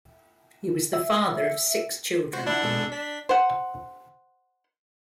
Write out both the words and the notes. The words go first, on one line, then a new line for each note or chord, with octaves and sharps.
He was the father of six children.
E5
F#4 C5
D4 E4 F#5
B2 G#3 A4
D4 B6
C5 F#5